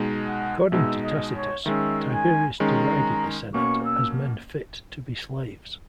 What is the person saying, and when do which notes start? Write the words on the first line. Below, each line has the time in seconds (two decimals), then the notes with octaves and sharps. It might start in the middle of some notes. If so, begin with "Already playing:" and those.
According to Tacitus, Tiberius derided the Senate as men fit to be slaves.
Already playing: B2 G#3 D#4
0.25 F#5
0.72 B2 G#3 D#4 E5
1.04 D#5
1.35 C#5
1.66 D#3 G#3 C#4 E5
2.13 G#5
2.60 D#3 G#3 C#4 A#5
3.54 B2 A#3 C#4 C#6
3.85 E6